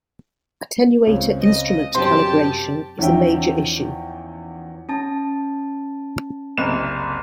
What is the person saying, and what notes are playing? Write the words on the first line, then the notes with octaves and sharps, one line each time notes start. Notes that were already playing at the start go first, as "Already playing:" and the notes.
Attenuator instrument calibration is a major issue.
C#2 C4 C#5
D#5
F#2 C3 G4 C5 A5
E2 F3 C#4 D#4 E5 G5
C#4 A5
F#1 C2 E7